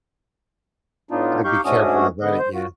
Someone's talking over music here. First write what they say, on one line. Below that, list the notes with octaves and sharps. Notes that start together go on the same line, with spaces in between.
I'd be careful about it, yeah.
A2 B3 D4 D#4 F4
D#4 G4 F5 C#6 G6
G#2 A3 C#4 D4 F#4 D#6
D3 B3 D#5
C5
F4 F#4